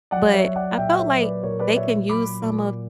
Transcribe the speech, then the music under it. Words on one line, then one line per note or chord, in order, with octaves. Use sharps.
but, I felt like they can use some of
F#3 D5 F#5
C#5 E5
F#3
D5 F#5
A#2 E5 G5
C#5 E5
F#3
B4 D5
A#2 A#4 C#5
B4 D5
A#2 C#5 E5
F#3 B5 D6
A#2